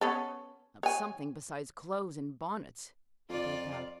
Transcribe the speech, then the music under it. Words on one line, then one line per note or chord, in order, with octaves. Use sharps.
"Of something besides clothes and bonnets," he broke out.
B3 C#4 A4
C#5 G#5
F2 F4 D5